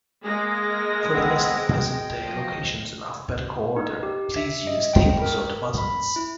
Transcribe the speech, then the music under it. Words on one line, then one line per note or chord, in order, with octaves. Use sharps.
For the list of present-day locations in alphabetical order, please use table-sort buttons.
G#3 A#3 G#4 A#6
B3 C4 E5
G5
F3 F#3 D#5
D#4
G4
E5
D#5
G5
A#4
B5
E4